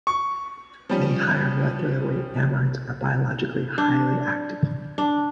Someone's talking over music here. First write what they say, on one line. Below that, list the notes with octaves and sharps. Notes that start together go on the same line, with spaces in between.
Many higher molecular weight amines are, biologically, highly active.
C#6
F3 G3 C#4
D4
D4